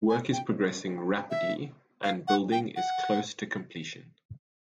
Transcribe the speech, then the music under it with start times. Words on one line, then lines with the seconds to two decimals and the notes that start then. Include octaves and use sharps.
Work is progressing rapidly and building is close to completion.
0.09 G#5
0.33 G5
1.30 E5
2.03 F5
2.28 F#5
2.52 G5
2.76 F#5